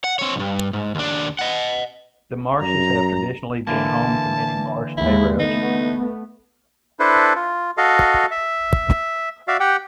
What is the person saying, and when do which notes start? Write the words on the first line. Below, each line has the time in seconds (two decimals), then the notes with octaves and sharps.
The marshes have traditionally been home to many Marsh Arabs.
0.04 F#5
0.19 C4 C#5
0.36 B1 G2
0.73 G#2
0.95 D#2 D4
1.39 D#5 F#5
2.61 F#2 A#5
3.67 D3 E3 A#3 A5
4.97 D#2 G#3 E4
5.39 A3 B3 D#4
6.99 D4 E4 A4 B4 C5
7.35 F4
7.77 F#4 A4 D#5 F5
8.31 E5
9.48 F#4 D5 E5 F5
9.60 G4 F#5 G5